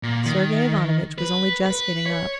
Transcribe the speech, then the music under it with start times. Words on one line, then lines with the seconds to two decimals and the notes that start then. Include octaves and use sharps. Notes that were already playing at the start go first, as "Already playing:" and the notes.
Sergey Ivanovitch was only just getting up.
0.03 A#2
0.26 D#3
1.18 B4
1.66 B4
2.06 C#5